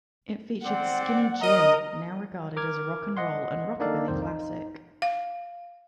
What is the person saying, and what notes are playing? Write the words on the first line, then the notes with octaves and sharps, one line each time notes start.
It featured "Skinny Jim", now regarded as a rock-and-roll and rockabilly classic.
C4 D5 F#5
A#4 D#5 A#5
A#4 D6 F6 G#6
D#5 F#5 C6
A#3 D4 D#4 A4 D5 F5
C2 F2 D#3 C5
D#4
F5